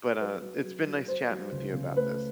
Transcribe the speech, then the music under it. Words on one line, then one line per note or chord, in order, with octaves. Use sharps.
But, uh, it's been nice chatting with you about this.
F#3 B4
F#3
F#3
F#3
F#3 C5
F#3
C#2
C#3
A3 B4